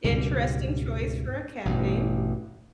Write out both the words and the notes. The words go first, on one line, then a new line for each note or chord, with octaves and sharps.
Interesting choice for a cat name.
C#2 G#2 B2 G3
A1 G2 B2